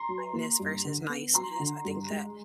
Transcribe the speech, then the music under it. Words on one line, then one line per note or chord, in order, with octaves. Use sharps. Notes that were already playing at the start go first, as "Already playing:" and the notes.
kindness versus niceness. I think that
Already playing: A#5 C6
F#3
A#3
G2
D3
B3
F#3 A#5 C6
D3
G2
G#3